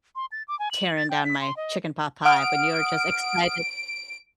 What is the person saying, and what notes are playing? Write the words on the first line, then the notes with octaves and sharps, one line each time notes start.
tearing down my chicken pot pie when you were just excited.
C6
A6
D6
G#5
F#7
A6
G5
B6
C6
D#5
F#5 D#6 F6 D7